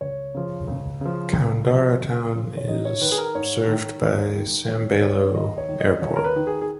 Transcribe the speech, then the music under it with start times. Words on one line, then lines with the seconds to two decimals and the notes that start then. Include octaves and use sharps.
Koundara town is served by Sambailo Airport.
0.01 C#2 C#5
0.35 C#3 F3
0.68 C#2
1.01 C#3 F3
1.35 C#2
1.68 C#3 F3
2.01 C#2
2.34 C#3 F3
2.57 C#5
2.68 G#2 D#5
2.85 C#5
3.01 D#3 B4
3.12 G#4
3.18 A#4
3.35 G#2 C#5
3.68 D#3
4.02 D#2
4.35 D#3
4.68 D#2 C#5
5.02 D#3 C#5
5.36 D#2 D#5
5.58 C#5
5.69 D#3
5.80 D#5
6.02 D#2 C#5
6.16 A#4
6.24 B4
6.36 D#3
6.47 G#4
6.61 G#4